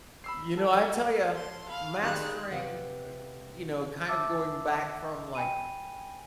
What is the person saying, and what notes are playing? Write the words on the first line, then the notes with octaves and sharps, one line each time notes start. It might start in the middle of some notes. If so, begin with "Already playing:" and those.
You know, I tell ya, mastering uh, you know, kind of going back from, like g
B5 E6 C7
A4
C6
F5 B5
D#3 G3 G#3 F5 F#6
C3 B4 F5 F#5
E5 A5 D6 E6 A6
G5 G#5 B5 D#7